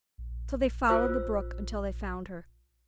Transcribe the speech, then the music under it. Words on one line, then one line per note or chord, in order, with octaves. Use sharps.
So they followed the brook until they found her.
A#1
F4 C5 E6